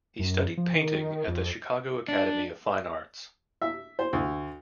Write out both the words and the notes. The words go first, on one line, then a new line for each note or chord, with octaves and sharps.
He studied painting at the Chicago Academy of Fine Arts.
F#2
F3
D#3
F2
D4
E5
C5
D2